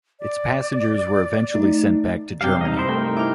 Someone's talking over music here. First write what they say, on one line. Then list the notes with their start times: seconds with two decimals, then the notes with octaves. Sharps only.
Its passengers were eventually sent back to Germany.
0.20 D5
1.54 A3 D#4
2.41 G2 C3 F5 G5
2.61 D#4 D#5
2.77 E4 C5
2.89 A3 D#4 A#4 G5
3.17 E4 D6 F6